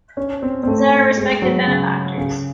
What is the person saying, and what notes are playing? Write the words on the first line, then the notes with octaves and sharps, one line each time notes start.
These are our respected benefactors.
C#4
C4
C4
A3
G#3
F#3
C#3
C#3